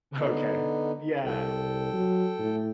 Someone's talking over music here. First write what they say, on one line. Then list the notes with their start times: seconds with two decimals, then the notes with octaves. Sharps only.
Okay. Yeah.
0.18 D3 B3 D#4
1.24 C2 A4 G5
1.93 F#3
2.39 A2